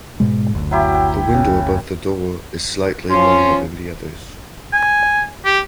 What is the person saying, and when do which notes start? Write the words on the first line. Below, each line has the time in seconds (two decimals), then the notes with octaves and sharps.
The window above the door is slightly longer than the others.
0.20 G#2 B2 G#3
0.52 F#1 D2
0.71 F#3 E4 G4
0.94 G5
1.34 C#3
3.10 F3 C#4 C6
4.73 G#5
5.45 G4